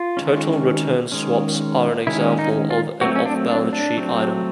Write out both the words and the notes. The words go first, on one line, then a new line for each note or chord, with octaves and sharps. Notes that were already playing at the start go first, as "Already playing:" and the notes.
Total return swaps are an example of an off-balance sheet item.
Already playing: F4
D#3 G#3 C#4
D#3 G#3 C#4
D#3 G#3 C#4 E4
D#4
F4
F#3 A3 C4 F#4
C#4
D4
D4
D4
F#3 A3 C4